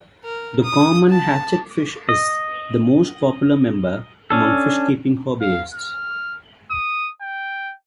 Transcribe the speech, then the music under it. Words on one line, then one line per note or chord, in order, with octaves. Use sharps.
The common hatchetfish is the most popular member among fish keeping hobbyists.
A#4
D#6
A5
D#5
C#4 D4 A4
F5
F6
D#6
G5